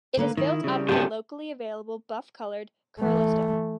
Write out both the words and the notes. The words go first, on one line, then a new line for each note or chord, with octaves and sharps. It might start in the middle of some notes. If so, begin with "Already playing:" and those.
It is built out of the locally available buff coloured Kurla stone.
D3 A#3 B4
D#3 E4
C#3 G3
F#2 B2 C4 G4 A5
E3 A3